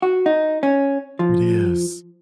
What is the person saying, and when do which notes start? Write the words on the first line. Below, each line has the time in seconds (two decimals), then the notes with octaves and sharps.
It is.
0.02 F#4
0.26 D#4
0.63 C#4
1.19 F3